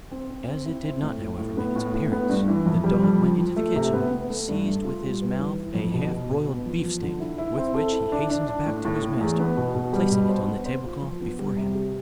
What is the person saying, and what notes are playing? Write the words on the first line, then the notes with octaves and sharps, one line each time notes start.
As it did not, however, make its appearance, the dog went into the kitchen, seized with his mouth a half-broiled beefsteak, with which he hastened back to his master, placing it on the table-cloth before him.
C4
C4
C4
E4
C4
A2
A2
A2
B3
A2
A2
B3
G2
E3
F2
G3
F2
F3
F3
A3
C3
B3
B3
A3
G2
A3
F4
G3
B4
E3
E3
F2
B2
B2
B2
B3
F3
F3
D3
E4
E4
C4
A4
E4
D4
D4
D4
A2
A2
A2
E2
B3
B2
B2
G3
B2
C5
B3
C5
F4
F3
B3
G3
C3
G4